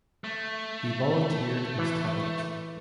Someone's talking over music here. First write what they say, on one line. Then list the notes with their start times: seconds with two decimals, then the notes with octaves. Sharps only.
He volunteered his talents.
0.24 A3
1.79 E3